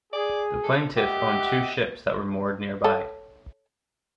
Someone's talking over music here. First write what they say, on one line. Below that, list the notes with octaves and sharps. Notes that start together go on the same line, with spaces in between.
The plaintiff owned two ships that were moored nearby.
G#4 D5
A4
G4 D#5 E5 F#5
A4 C#5